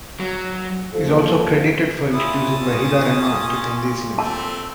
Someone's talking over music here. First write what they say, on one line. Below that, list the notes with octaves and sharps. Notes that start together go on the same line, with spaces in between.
He is also credited for introducing Waheeda Rehman to the Hindi cinema.
F#3
D#2 A2 F3 A4
A#2 E4 A5 D#6
A#2 C#4
A3 C4 A5